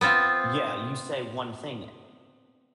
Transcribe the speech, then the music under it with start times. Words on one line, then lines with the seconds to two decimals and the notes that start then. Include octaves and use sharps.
yeah, you say one thing
0.01 B3 C4 F4 C5